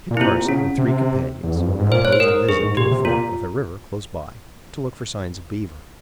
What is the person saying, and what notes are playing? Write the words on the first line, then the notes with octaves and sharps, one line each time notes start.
Kit Carson, with three companions, proposed a visit to a fork of a river close by, to look for signs of beaver.
A#2
E4
C3 F4
A#2
C3
C#3 C#4
C3
E2
F2
G2
G#2
A#2 C5
C#5
C5
G#2 A#4
G2 G#4
G#2
A#2 G4
C3
A#2 F4